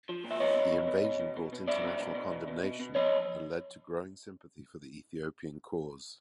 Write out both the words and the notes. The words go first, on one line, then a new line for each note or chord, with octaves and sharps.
The invasion brought international condemnation and led to growing sympathy for the Ethiopian cause.
F3
A#2
E5
B2 C#5 D#5
B2
B2
B2
B2
B2
B2
B2
B2 D5 E5
B2
B2
B2
B2
B2
B2
B2
F3 C#5 D#5